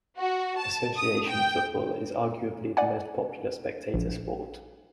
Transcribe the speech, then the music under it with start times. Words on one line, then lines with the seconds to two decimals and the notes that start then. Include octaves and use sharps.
Association football is arguably the most popular spectator sport.
0.17 F#4
0.57 A5
0.97 D#6
1.28 G5
2.77 D5 F#5 G#5
3.94 A#1